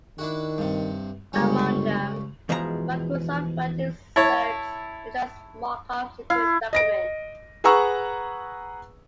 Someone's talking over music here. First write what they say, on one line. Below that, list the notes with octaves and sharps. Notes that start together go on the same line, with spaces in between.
Among them, Microsoft Word inserts extraneous markups into the document.
D#3 D4 E4 F#4
G2 C3
G1 C#2 G3 C#4
E2 B2 F3 G#3 F#4 A#5
E4 C#5 A5
E4 F5
D#5 A#6 D7
G#4 B4 F#5 A#5 C#6 E6